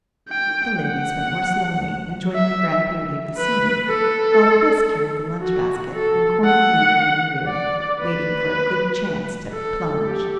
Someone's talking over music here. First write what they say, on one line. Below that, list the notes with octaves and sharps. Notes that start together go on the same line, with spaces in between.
The ladies went more slowly, enjoying the grand beauty of the scene, while Chris carried the lunch-basket, and Corny lingered in the rear, waiting for a good chance to "plunge."
G5
F#5
E5
B4
A4
F#4
A4
F#5
D5
B4
A4
G4